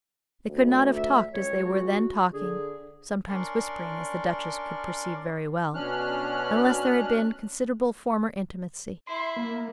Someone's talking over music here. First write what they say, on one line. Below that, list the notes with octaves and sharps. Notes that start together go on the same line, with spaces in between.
They could not have talked as they were then talking,--sometimes whispering as the Duchess could perceive very well,--unless there had been considerable former intimacy.
D2
E5
C#2 C#5
F#4
D3 G#4
C#4 D4 A#4 D5 C6 C#6
B2 C#4 D4 F6 F#6
E4 E5 C6
A#3